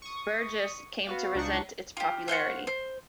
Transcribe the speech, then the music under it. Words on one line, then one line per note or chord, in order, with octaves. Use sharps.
Burgess came to resent its popularity.
C#6 D#6
B3 F#4 F5
C#2 D4 D#4 F#5 C#6
F4 G4
F4 C5 F#5 C#6
C5